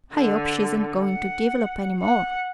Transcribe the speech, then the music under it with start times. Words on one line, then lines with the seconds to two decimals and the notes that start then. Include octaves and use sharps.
"I hope she isn't going to develop any more!"
0.14 D3
1.04 F#5
2.00 F#5